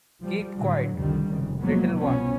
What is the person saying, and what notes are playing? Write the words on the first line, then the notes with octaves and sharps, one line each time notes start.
Keep quiet, little one!
F3 G3
A2 D3 F#3
C2 F2 D3 D#3 G3
F1 F#2 C#3
F3 F#3 G#3 A#3 B3
C2 B2 F3 B3 C#4